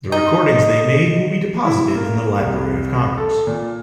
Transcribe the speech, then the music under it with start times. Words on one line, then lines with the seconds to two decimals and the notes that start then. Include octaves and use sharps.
The recordings they made will be deposited in the Library of Congress.
0.12 D#4 D#5
1.65 E4
1.95 A#3
2.39 C2
3.18 A4
3.47 A#2